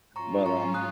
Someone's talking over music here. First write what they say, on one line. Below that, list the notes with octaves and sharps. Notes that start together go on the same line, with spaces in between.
But, um
G#2 F#3 C#4 F4 A#5 C#6
A#5 C#6
D#6 F#6